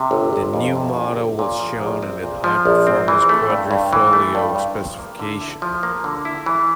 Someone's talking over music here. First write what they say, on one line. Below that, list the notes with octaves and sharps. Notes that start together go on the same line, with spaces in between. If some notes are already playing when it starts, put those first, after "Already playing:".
The new model was shown in the high-performance "Quadrifoglio" specification.
Already playing: C3
G1
G1
F2
C3
G1
G1
A#2
F3
A#1
C4
A#2
F3
A#1
C4
E3
A3
G2
G2
E3
A3
G2
G2
F3
A#3
D3
E4
F3
A#3
D3
E4
E3